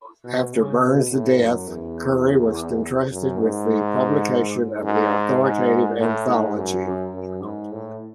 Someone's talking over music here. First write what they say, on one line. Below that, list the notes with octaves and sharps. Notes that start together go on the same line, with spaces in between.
After Burns's death, Currie was entrusted with the publication of an authoritative anthology.
B2
C#3
B2
A2
F#2
E2
F#2
G#2
G#2
G#2
A2
G#2
F#2
F#2
G#2
A2